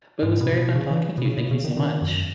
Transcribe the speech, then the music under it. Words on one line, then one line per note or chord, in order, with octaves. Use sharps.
but it was very fun talking to you, thank you so much.
G#2
B2
B2
C#3
E3
B2
C#3
B2
C#3
D#3
D#3
F#2